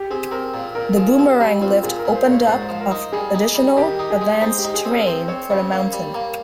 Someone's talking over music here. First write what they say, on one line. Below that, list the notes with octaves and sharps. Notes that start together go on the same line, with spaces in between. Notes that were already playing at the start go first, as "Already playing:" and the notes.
The Boomerang lift opened up of additional advanced terrain for the mountain.
Already playing: G4
C4 G#4
C4 A#4
A#2
A#2 A#4
F3 G#4
C4 G4
G3 G4
C4 F4
A#2 G#4
A#4
A#2
C5
A#2 C#5
G#2 C5
F3
A#4
D#4
G3 G#4
D#4
G3
D#3 G4
D#4
G#4
G#3
D#4 C5
G4
D#4
G#4
C4
A#4
C4 C5
C4 C#5
C#3 C5
A#3
G3
A#3